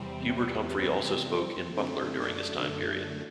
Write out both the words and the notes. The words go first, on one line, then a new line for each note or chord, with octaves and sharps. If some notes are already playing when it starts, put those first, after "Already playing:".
Hubert Humphrey also spoke in Butler during this time period.
Already playing: E2 C3 G3 C4
B3
C4
F#2 D3 A3
D4